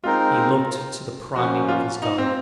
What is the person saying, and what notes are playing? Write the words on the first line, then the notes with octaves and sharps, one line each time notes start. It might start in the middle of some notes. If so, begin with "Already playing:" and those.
He looked to the priming of his gun.
G#3 C4 D#4 F4 A#4
F3 A#3 C#4 F#4
F4
D#4
C4